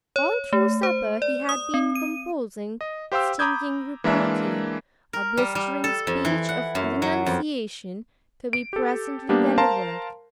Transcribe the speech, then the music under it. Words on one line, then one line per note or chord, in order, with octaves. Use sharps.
All through supper he had been composing stinging repartee, a blistering speech of denunciation to be presently delivered.
C#5
A3
C5
D5
D#6
C4
D#7
D#5
G4 C5 F5 G5 E6
A#5 B5 D6 D#6 G6 G#6
E3 G#3 A#3 D4 A#4 E5
A#4
G3
G3
A4
F2
E3
F#5
F#2
F#3
F2
D7
G4 A4
G3 A#3 B3 D4 G4
A#4 C5 F5 A5 A#5 C6